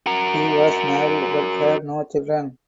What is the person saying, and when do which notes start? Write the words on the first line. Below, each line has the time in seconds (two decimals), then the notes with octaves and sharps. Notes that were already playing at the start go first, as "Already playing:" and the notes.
He was married but had no children.
0.06 F#4 A#4